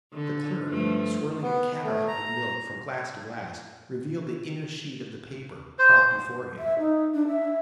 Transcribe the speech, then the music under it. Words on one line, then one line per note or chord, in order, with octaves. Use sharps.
The clerk, swirling a cataract of milk from glass to glass, revealed the inner sheet of the paper propped before him.
D3
G2 F3 A3
B3
A3
A#5
C5
E5
D#4
D4
E5